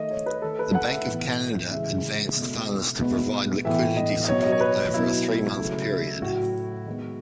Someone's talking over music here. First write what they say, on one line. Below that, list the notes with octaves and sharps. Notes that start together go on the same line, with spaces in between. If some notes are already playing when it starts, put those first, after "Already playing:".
The Bank of Canada advanced funds to provide liquidity support over a three-month period.
Already playing: D#3 A3 D#5 E5
C#5
B4
D#3 A3 A4
B4
F#5
E5
A2 E3 B3
C#3 E3 G#3 E5
B2 A3
B2 G#3 B3
A2 E3 B3 E5
D#5
D#5
B2 F#3 B3 C#5
D#5
C#5
B4
B2 F#3 B3 E4
C#3 F#3 A3
A2 F#3 A3 F#4
D#3 G#3 B3